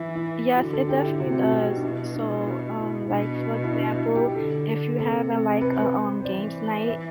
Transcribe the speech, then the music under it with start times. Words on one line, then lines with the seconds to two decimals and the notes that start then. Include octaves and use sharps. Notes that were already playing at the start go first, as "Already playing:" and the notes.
Yes, it definitely does. So, um, like, for example, if you're having like a, um, games night
Already playing: E3 E4
0.15 E4
0.56 D3 F#4
0.73 A4
0.89 G4
1.04 E4
1.19 C3 F#4
1.44 F#4
1.51 B2 G4
1.77 D4
1.83 E4
2.15 D4
2.46 E4
2.78 E4
3.00 E4
3.10 B2 D4
3.64 E4
3.73 D4
3.94 E4
4.15 G4
4.35 D3 A4
4.99 C3 A4
5.61 B4
5.72 C5
5.83 B4
6.20 C5
6.25 E3 D5
6.88 E5